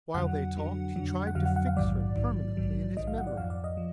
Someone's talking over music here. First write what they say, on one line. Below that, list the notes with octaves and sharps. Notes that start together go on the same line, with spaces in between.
While they talked he tried to fix her permanently in his memory.
F2 D3 F#3 F#5
F2 D3 F#3
F2 D3 F#3
F#5
F2 D3 F#3 F5
F#5
F#5
F5
A#1 G#2 D#3 F#3 D5
A#1 G#2 D#3 F#3
A#1 G#2 D#3 F#3
A#1 G#2 D#3 F#3 D#5
F5
F#5
D5
F2 F3 F5
D5
D#5
F3